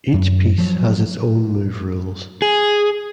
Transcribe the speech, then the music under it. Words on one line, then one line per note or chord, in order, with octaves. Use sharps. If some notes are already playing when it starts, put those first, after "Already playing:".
Each piece has its own move rules.
F#2
F3 F#3
G#4